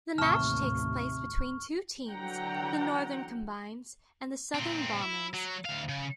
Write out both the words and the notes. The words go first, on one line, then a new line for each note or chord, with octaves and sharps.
The match takes place between two teams, the Northern Combines and the Southern Bombers.
A1 D#2 C3 A5 C#6 F6
D3 E3 F#3 F#5 G5 A#5
A#2 C4
E4
F#3
D2 F5
C#3